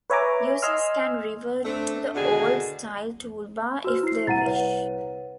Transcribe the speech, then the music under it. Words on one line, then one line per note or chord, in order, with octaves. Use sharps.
Users can revert to the old-style toolbar if they wish.
B4 C#5 E5 G#5 A#5 D6
D#5 G#5 C6 E6 F6
A3 C4 D4
B2 D3 D#3 D4 F#4 G#4
F#4 C5 E6 F6
E4 C7
C2 F#5 A#5 A6 D#7
B4 C#5 F#5